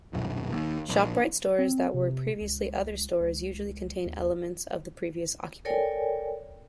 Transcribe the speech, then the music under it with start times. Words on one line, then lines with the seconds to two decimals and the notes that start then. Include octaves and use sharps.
ShopRite stores that were previously other stores usually contain elements of the previous occupant.
0.13 D#1 B1 F#2
0.52 D#2
0.89 A#1
1.59 C4
1.94 C3
2.41 C#2
3.21 C#2
4.06 D#2
5.65 A4 A#4 C#5 D5 G5 G#5